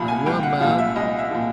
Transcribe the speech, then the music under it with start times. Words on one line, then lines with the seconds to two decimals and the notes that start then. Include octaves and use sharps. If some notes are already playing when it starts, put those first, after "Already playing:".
Are you a man?
Already playing: C2 A#2 F3 B5
0.08 G#5
0.26 C2 G5
0.43 F#5
0.61 A#2 F3 F5
0.78 E5
0.95 C2 D#5
1.18 E5
1.31 A#2 F3